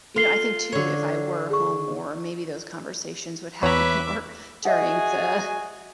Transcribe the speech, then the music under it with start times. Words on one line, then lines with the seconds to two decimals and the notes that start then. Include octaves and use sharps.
you know, I think too, if I were home more, maybe those conversations would happen more during the
0.16 F4 A4 C7 G7
0.72 D3 C#5
1.50 G#4 C#6
3.63 E2 B4 C#5 E5 A#5 D6
4.65 F#4 G#4 D#5 E5 F#5 G#5